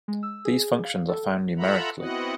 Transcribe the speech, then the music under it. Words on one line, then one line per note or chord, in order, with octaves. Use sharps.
These functions are found numerically.
G#3
E6
G#4
F5
A4
F4 A4 E5 F#5 A#5 B5
B3 C4 E4 F#4 D#5 F#5